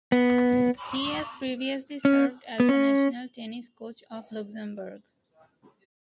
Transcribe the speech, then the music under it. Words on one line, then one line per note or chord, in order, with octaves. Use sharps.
He has previously served as the national tennis coach of Luxembourg.
B3
C#4
B3
C#4